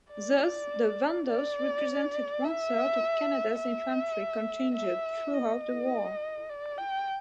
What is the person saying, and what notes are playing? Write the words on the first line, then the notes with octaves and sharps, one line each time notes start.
Thus the "Van Doos" represented one-third of Canada's infantry contingent throughout the war.
D5
D5
E5
E5
E5
D#5
D5
G5